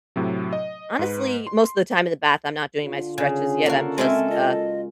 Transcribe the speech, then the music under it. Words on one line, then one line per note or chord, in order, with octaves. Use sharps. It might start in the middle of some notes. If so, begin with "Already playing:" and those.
honestly, most the time in the bath, I'm not doing my stretches yet, I'm just, uh,
A2 C3 F#3
D#5
G#2 B4
C6
D3 F4
C#3 G#4
A#3 F#4 A4
G#3 C4 A#4 E5
F4 D#5